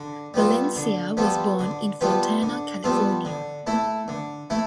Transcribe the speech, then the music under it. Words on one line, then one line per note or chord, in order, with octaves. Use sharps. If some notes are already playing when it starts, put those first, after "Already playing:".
Valencia was born in Fontana, California.
Already playing: D3
G3 B3 F4 A4
D3
G3 B3 F4 A4
D3
G3 B3 F4 A4
D3
G3 B3 F4 A4
D3
A3 E4 A4
D3
A3 E4 A4